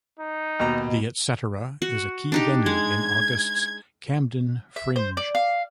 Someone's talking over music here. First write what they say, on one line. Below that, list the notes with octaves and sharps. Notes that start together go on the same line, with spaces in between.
The Etcetera is a key venue in August's Camden Fringe.
D#4
D#2 B2 A#5
F#4
D4 D#4 G4
G#3 G#6
E5
C5
D5
F5